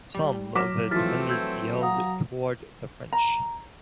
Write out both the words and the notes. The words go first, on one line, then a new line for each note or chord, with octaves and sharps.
Some of the defenders yelled toward the French.
G3
F#3 D6 F6 A#6 B6 E7
E3 F3 A3 C4 F6 A6 B6
E6 G6 G#6
F5 F#5 A#5 D#6
A#5